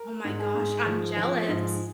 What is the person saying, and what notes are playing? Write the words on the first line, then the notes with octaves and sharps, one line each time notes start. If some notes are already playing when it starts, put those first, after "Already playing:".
Oh my gosh, I'm jealous.
Already playing: A#4
G#2
G#4
G#2
F3
F3
G#2